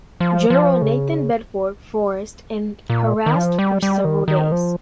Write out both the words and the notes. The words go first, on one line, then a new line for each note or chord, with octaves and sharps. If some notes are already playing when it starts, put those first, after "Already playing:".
General Nathan Bedford Forrest and harassed for several days.
F3
F3
C#3
A#2
D#3
F3
G3
G3
D#3
D#3
F3